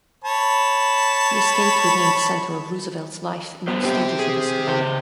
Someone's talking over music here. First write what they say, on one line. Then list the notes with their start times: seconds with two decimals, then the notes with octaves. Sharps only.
The estate remained the center of Roosevelt's life in all stages of his career.
0.25 C#5 A5 B5
3.68 D3 B3 C5
3.84 C4 G4
4.19 G#4
4.67 C#3 C5